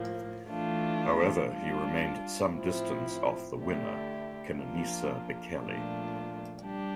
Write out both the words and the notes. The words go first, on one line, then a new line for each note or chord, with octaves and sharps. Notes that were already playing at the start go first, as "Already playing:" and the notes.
However, he remained some distance off the winner Kenenisa Bekele.
Already playing: A2 F3 A#3
E3 A3 D4 F4
G3 D4 F4
A2 F3 C4 E4
D3 A3 E4 G4
F3 A#3 D4 F4
A#2 F3 A3 D4 F4
G3 D4 G4